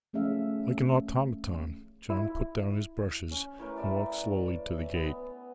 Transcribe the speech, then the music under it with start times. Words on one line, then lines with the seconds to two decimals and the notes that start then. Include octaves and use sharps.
Like an automaton John put down his brushes, and walked slowly to the gate.
0.13 F3 A3 C#4 G#4 E5 F5
2.10 E4
3.31 C#4
3.59 A2 E3 A#4
3.76 A4 D5 E5 B5
4.94 B3